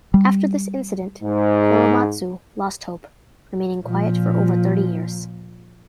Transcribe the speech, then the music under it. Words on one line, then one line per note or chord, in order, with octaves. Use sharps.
After this incident Korematsu lost hope, remaining quiet for over thirty years.
G3
G#2
A#2 F3